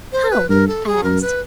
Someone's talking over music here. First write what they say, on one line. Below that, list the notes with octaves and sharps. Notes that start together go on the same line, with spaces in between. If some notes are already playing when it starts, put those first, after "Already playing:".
"How?" I asked.
C5
B4
G2 A#4
A4
G#4
F#2 A#4
B4